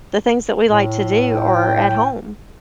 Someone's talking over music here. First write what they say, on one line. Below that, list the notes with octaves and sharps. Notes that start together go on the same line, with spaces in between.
the things that we like to do are at home,
A2
G5